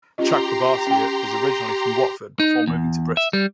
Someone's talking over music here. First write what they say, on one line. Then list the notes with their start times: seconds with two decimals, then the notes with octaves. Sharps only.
Chakrabarti is originally from Watford before moving to Bristol.
0.18 C#4 F4 G4 D#5 A#5 C6
0.87 C#4 G5
2.40 D#4
2.68 E2
3.17 E5
3.33 G3